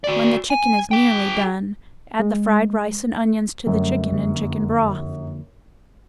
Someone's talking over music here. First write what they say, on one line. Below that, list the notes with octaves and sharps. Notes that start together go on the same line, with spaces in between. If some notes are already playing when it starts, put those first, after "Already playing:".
When the chicken is nearly done, add the fried rice and onions to the chicken and chicken broth.
F#4 D5
G#5
G#4 G5
G#3
F#2 D3 G3 A3
F2 D3 A#3